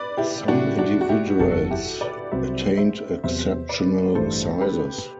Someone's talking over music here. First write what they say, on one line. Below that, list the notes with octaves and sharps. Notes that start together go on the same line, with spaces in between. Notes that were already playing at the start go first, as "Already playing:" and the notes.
Some individuals attained exceptional sizes.
Already playing: B4 D5
E4 G4
A2 F#3 A3 D4 E4 F#4 G4
D4 F#4
F#4
E4 G4
F#1 E2 C3 F#4 A4
E4 G4
B4 D5
C2 C3 F#3 C4 F#4 C5 E5
C5 E5
E2 C3 F#3 C5 E5
B4 D5
A1 G2 E3 A3 A4 C5
G4 B4